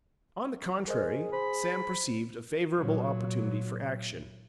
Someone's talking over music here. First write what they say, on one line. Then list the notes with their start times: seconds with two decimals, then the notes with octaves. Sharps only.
On the contrary, Sam perceived a favourable opportunity for action.
0.88 G#4 A#4 C5 D#5
1.33 C5 B5
2.78 A#2 F#3